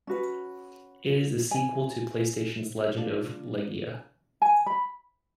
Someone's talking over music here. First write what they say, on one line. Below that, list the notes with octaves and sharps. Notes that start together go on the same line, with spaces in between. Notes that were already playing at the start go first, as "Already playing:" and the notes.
It is the sequel to PlayStation's "Legend of Legaia".
C#4 F#4 B4
G#5
D4 F4
G#5
B5